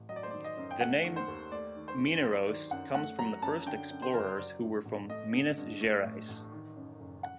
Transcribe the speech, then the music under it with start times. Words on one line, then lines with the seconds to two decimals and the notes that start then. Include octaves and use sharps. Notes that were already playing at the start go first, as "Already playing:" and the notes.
The name "Mineiros" comes from the first explorers who were from Minas Gerais.
Already playing: A1
0.09 F#3 D#5
0.16 D5
0.23 C5
0.30 D#3 D5
0.44 D#5
0.57 F#2
0.71 G5
0.80 A3 F#5
1.04 D#3
1.16 C5
1.28 D#2
1.52 A3 D5
1.76 D#3
1.88 C5
2.00 G2
2.23 F#3 C5
2.47 D#3 D5
2.71 F#2 F#5
2.95 A3 F#5
3.18 F#3 A#5
3.42 F#2 A5
3.66 D3 G5
3.91 F#2
4.02 C5
4.14 F#1 A#4
4.25 C5
4.38 F#3 D5
4.62 G2
4.85 A1
5.10 A3 D#5
5.33 D3
5.57 G2
5.81 A3
6.05 A2
6.29 A1
6.52 D#3
6.77 F#2
7.00 F#1
7.23 F#5